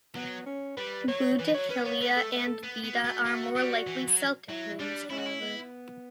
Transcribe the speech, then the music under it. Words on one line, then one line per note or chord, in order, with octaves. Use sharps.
Boudihillia and Beda are more likely Celtic names however.
F#3 B3
C#4
G3 B4
F#3 C#5
E3 B4
F#3 C#5
C#4 B4
B3 C#5
A3 B4
A4
B4
A4
B3
B3
F#4
A3
A3
G3
E3
F#3
F#3 E4
G3 D4
C#4 E4
F#4
E4
B3